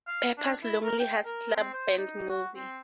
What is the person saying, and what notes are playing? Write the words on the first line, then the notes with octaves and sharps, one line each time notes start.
Pepper's Lonely Hearts Club Band movie.
F5
D4
E4
A#4
G5
A#4
C4
C5
D#4
F#4
C4